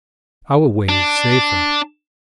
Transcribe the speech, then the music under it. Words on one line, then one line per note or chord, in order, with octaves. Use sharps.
Our way is safer.
D4